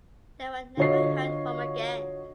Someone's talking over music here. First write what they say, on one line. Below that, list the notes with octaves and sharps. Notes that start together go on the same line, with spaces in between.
They were never heard from again.
D3 F4 F#4 C#5 D#5 C7